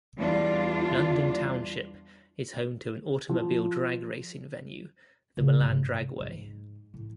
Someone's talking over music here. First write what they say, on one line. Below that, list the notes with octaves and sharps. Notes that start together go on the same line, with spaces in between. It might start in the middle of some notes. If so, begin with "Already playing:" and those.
London Township is home to an automobile drag racing venue, the Milan Dragway.
E2 G3 D4 F4
F3
C#3 B3
G#2 C3
D2
G#2
A2